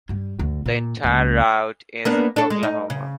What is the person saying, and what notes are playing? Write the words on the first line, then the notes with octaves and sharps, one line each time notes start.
The entire route is in Oklahoma.
G2 G3
D2
A#2
C#2 A#3
A#3 B3 D4
D4 A4
G#3
D#4
C#3